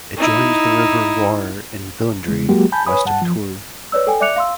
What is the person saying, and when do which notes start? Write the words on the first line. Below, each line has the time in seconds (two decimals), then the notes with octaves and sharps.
It joins the river Loire in Villandry, west of Tours.
0.17 D#4 E4
2.28 C#3 G#3
2.49 F#3 G#3 A#3 F#4 G4
2.72 G#5 A5 B5 G6
2.86 B4 C#5 G#5 B5 D#6
3.05 G2 F#5 A5
3.22 F3
3.92 B4 C#5 D5 E6
4.07 A4 G5 G#5
4.20 D5 E5 D6 F#6 C#7 F7
4.36 F5 C6 E6